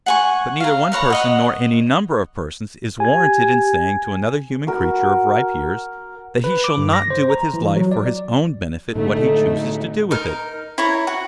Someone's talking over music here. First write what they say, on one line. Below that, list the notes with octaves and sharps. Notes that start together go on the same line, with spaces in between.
But neither one person, nor any number of persons, is warranted in saying to another human creature of ripe years, that he shall not do with his life for his own benefit what he chooses to do with it.
F#5 G#5 C#6
F5 A#5
A#4 B4 C#5 A#5
C#5 D#5 F#5
G4 G#5 G#6
F#4 A#4
B4
D6
G2
A#6
C5
A#5
E3
F#3
D5
A2 D3 G#3 A3 D#4
D#4 A#4
E4 C#5 A#5
F#4